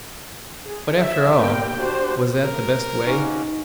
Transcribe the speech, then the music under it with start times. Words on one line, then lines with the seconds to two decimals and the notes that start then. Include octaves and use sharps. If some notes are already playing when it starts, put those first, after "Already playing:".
But, after all, was that the best way?
0.66 G#4
0.96 E5
1.38 A#3 B3 G4 A#4 G5
1.75 D4 F#4 G4 C5
2.45 A#4
3.06 A#3 C#4 D#4 F#4